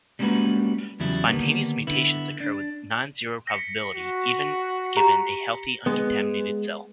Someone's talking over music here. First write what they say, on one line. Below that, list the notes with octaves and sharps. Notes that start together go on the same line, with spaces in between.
"Spontaneous mutations" occur with non-zero probability even given a healthy, uncontaminated cell.
G3 G#3 A#3 C#4 F#4 B4
E2 C#3 F#3 G3 E4
D3 D#3 F3 G3 A#3 B3
D3 B3 E4
D4
A#6 B6 C#7
F#4
G4 A#5
G#3 B3